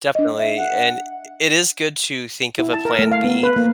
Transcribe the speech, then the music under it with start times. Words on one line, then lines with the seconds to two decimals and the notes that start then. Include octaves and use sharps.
Definitely, and i i it is good to think of a plan B
0.15 D4 D#5
0.39 E5
0.57 F#5
2.59 E4
2.73 A5
2.85 A#4
2.99 A3
3.12 F5
3.24 B3
3.43 B4
3.56 A#3